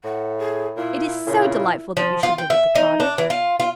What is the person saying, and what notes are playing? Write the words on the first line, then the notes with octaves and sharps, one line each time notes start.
It is so delightful that you should live at the cottage!
A2 F#5
G#4
A#2 E4
A#2 C#3
F3
F4
G5
E5
D#4
D4
E3
F4
F4